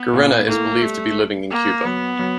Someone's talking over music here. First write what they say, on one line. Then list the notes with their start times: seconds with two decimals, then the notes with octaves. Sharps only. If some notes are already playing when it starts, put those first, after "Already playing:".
Gerena is believed to be living in Cuba.
Already playing: B3
0.13 A#2 A#3
0.47 A2 A3 A#3
0.82 G3 A3
1.51 A#3
1.85 F#3 B3
2.19 F#3